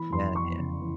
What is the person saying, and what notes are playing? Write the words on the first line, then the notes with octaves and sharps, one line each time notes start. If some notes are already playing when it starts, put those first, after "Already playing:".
Yeah, yeah.
Already playing: E3 B5
F1 C6
E2 C#6
C#3
E3